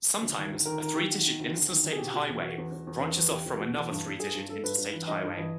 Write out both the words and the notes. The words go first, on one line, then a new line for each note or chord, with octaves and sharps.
Sometimes, a three-digit Interstate Highway branches off from another three-digit Interstate Highway.
D2
D#3
D2
D#3 A#4
D#3 A#4
D#3 G4
D#3 F#4
D#3
D2
D2
D#3
D2
G#4
B2 G4
B2
E2
E2 F#4
E2
E2
E2
E2
E2
E2 G4
E2
B2
E3
G2
G2
G2 G#4
G2
G2 A4
G2 B4
G2
E3
G2 D#5
G2
E3